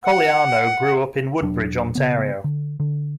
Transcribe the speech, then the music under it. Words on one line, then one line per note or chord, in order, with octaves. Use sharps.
Cogliano grew up in Woodbridge, Ontario.
F#5
E1 F#3 D4
C#3 B3
D3
D3